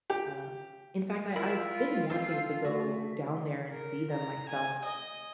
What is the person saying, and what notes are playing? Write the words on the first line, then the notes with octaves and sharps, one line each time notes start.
um, in fact, I I've been wanting to go down there and see them myself,
G4
E4 F4 A#4 E5 B5
C4 A4 C5 F5
A3 F#4
A#4
A#5
G#5
D#5